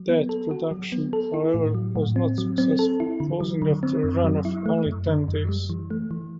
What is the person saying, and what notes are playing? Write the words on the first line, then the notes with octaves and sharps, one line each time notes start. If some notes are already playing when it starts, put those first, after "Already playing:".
That production, however, was not successful, closing after a run of only ten days.
Already playing: F#3
B3
A4
F#4
F#3
B3
A4
E4
A2
F#3
A2
C4
F#3
C4
A4
E4
D3
F#3
D3
C4
F#2
F#3
E4
A3
F#2
D3
F#2
G3
E3
A3
E3